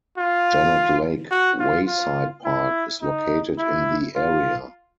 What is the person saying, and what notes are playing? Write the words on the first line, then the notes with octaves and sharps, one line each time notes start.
Janet Lake Wayside Park is located in the area.
F4
F#4
F4
F4
E4
D#4
E4
F4